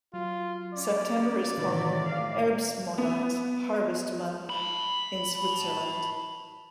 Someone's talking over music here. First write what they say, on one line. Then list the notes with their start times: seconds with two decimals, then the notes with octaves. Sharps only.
September is called "Herbstmonat", harvest month, in Switzerland.
0.14 F#3 F4
0.74 C#4 D5
1.58 A2 C3 D#3 E3 B4 A6
2.05 A2 F5
2.98 B3
4.50 A5 B5